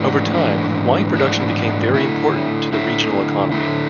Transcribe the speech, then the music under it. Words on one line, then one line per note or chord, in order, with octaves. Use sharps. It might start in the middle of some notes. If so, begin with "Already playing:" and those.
Over time, wine production became very important to the regional economy.
Already playing: G#2 E3 A3 D4 F#4
G#2 E3 A3 D4 F#4
G#2 E3 A3 D4 F#4
D3 A3 E4
D3 A3 E4
D3 A3 E4